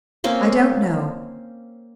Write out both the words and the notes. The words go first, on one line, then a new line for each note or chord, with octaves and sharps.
I don't know.
A#3 C4 C#4